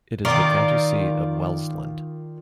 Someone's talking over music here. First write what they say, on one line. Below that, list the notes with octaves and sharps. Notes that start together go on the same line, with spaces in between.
It is the county seat of Wels-Land.
D#3 F4 A#4 D5